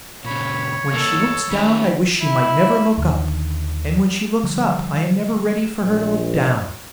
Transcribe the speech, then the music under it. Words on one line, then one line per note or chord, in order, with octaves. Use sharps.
When she looks down I wish she might never look up, and when she looks up I am never ready for her to look down.
A#2 C#3 C#5 B5
E3 A#3 A4
D#3 C#4 G4 B5
E4
D#2 D3 D#3
D3 F3 G3
A#1